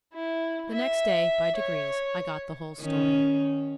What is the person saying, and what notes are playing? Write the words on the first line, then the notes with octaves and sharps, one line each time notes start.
The next day, by degrees, I got the whole story.
E4
E5
C#5
D#3 C#4